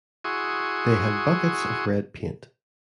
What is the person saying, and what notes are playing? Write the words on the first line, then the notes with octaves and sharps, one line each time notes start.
They had buckets of red paint.
E4 F#4 G#4 C6 C#6 D#6